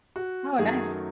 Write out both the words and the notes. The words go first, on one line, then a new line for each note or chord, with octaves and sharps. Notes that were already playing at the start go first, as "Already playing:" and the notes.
Oh, nice.
F#4
F#2 D#3 F#3 A3 G#4